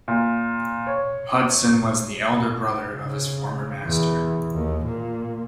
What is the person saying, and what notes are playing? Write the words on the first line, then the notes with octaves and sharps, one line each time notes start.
Hudson was the elder brother of his former master.
A#2
C#5
C#3
E2
D#2
A#2